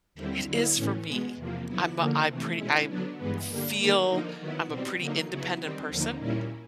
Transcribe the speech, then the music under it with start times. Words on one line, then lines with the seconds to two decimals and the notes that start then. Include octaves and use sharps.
It is for me. I'm a I pretty I'm feel I'm a pretty independent person,
0.14 D#2 D3 G3 C4 E4
0.45 D3 F#3 B3 E4
0.75 A2 E3 A3 C#4
1.06 B2 G#3 B3
1.36 E2 C3 F3 A#3
1.66 D3 F#3 B3 E4
1.96 D3 F3 A#3
2.27 C3 E3 A3
2.56 B2 G#3 C#4 E4
2.87 D3 F#3 B3 D4
3.18 G2 E3 G#3 B3
3.47 D3 G3 A#3
3.77 D#3 G3 A#3
4.07 D3 F3 A#3 D#4
4.38 D#3 F#3 B3 E4
4.68 B2 G3 C4
4.98 D3 F#3 A#3 D#4
5.29 C#3 F#3 B3 E4
5.59 D#3 G3 C4
5.89 D#2 D3 F3 A#3 D#4
6.19 A#2 G3 A#3 C#4 E4